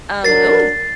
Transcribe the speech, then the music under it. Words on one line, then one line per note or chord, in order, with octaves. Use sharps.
Um, it was
F#3 D4 A#4 A6 C7